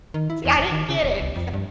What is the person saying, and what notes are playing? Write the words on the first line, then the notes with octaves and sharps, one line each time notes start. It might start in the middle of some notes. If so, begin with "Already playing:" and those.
See, I didn't get it, so
D#3
E4
E2
F#1
D#3
C#3
E1
C2
F2
G2